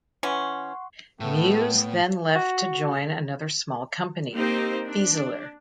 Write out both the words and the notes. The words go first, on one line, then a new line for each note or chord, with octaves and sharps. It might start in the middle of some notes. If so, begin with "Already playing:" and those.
Mewes then left to join another small company, Fieseler.
E3 C#4 F#5 C6 C#6
A2 A3 B3 G5
F#4
A#3 C4 D#4 G4 C5
D4